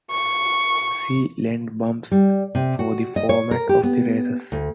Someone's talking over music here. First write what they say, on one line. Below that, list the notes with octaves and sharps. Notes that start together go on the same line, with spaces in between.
See Lent Bumps for the format of the races.
C#6
G3
C3
F#4
D#5
C#5
A#4
G4
B3
D2